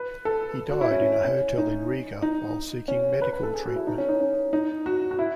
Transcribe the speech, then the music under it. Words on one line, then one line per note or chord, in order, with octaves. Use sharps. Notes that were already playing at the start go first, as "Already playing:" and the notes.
He died in a hotel in Riga while seeking medical treatment.
Already playing: B4
A4
F#4
E4
C#4
C#4
C#4
D#4
D#4
C#4
B4
B4
A4
G#4
F#4
E4
D#4
C#4
D#4
C#4
D#4
F#4
F#4
E4